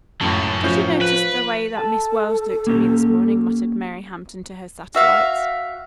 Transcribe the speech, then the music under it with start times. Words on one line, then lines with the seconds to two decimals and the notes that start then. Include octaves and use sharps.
"Did you notice the way that Miss Wells looked at me this morning?" muttered Mary Hampton to her satellites.
0.21 C#2 F#2 A2 F#3 A5
0.64 A2 F3 C#4 G6
1.02 B4 F#6
1.77 A4 A5
2.67 A#3 C#4 G4
4.95 F#4 E5 F5